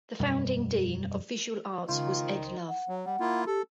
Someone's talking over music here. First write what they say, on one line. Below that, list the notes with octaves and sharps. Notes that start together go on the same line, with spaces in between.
The founding Dean of Visual Arts was Ed Love.
E1 F#2 B2 G3
C#2 D#3 F4 C5
F#5
F#3
G3 F#5
A#3 E4 F4
G4 A4